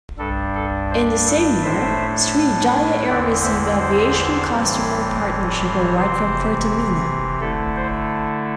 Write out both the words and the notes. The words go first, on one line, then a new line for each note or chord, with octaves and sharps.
In the same year Sriwijaya Air received Aviation Customer Partnership Award from Pertamina.
G2 G3 D4 A4
A4
C5
A4 D5
A2 A3 D4 C5 E5
E2 D3 C4 E4 D5 G5
C5 E5
C5
A2 E3 G3 C4
C3 E3 C4 C5
D3 A3 E4 A4
C5